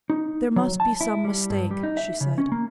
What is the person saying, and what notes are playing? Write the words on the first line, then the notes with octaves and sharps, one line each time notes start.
"There must be some mistake," she said.
D#4
F#3
A5
E4
G3
G2
G3
D#4
E5
C#3
C#4
A#3